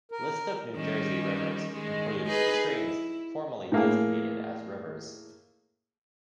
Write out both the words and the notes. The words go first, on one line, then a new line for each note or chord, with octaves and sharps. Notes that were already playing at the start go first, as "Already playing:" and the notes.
List of New Jersey rivers includes streams formally designated as rivers.
A#4
D#3 G3 C#4
D#3 G#3
D#4 G#4 B4
E4
A2 A#3 G#4